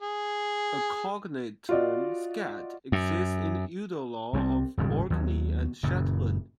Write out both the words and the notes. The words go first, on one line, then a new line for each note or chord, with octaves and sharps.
A cognate term, "skat", exists in the udal law of Orkney and Shetland.
G#4
F4 F#4 D5 D#5
F#2
C2 G3 G#3 C4
D#1 G#1 C#3 G3
D#2 F#3
F#1 F#2 A#2 C#3